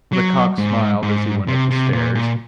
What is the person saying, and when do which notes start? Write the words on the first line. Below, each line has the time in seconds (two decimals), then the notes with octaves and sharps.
Lecoq smiled as he went up the stairs.
0.13 F#3
0.58 G#2
1.03 G#2
1.48 C3
1.71 C3
1.93 A#2
2.15 A#2